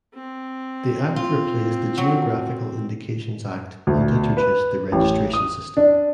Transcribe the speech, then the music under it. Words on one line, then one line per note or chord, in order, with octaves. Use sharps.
The Act replaced the Geographical Indications Act and introduced the registration system.
C4
F4
F#3
D2
B4
A1
D#6
D4